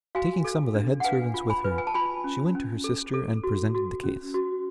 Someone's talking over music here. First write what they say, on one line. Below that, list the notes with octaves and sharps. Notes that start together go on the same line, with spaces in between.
Taking some of the head servants with her, she went to her sister and presented the case.
F#4 F5 G#5
A4
D4
F#5
B4 F5 G#5
F4
G#5 B5
B4
G#5
A5
F4 G#5 B5
C#4
C#4
A4
A4
F#4
F#4
C#4
F#4